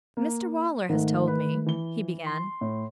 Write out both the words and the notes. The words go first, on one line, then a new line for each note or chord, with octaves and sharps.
'Mr Waller has told me--' he began.
A#3
G#2 D#3 A3
B4
E3 G7
C6
A2